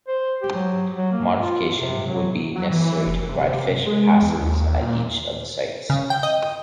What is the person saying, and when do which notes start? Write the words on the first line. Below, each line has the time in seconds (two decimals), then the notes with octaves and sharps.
Modification would be necessary to provide fish passes at each of the sites.
0.08 C5
0.42 G4
0.55 F#3
0.96 F#3
1.12 A#3
1.37 F4
1.75 C3
2.06 F#3
2.55 F#3
2.71 E3
3.07 F1
3.29 C3
3.86 G#3
4.22 E2
4.39 D#2
4.81 A#2
5.90 C#3
6.10 G5
6.23 D#5